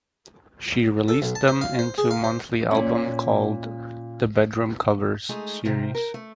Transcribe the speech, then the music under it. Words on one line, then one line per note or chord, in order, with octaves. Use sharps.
She released them into monthly albums called the ""Bedroom Covers"" series.
A4
B1
A5
C5
F5
C5
G#4
F5
C5
A#2 C#4
G#3 A3 D#4 G#4
G#2 C3 D#3
A#4
A3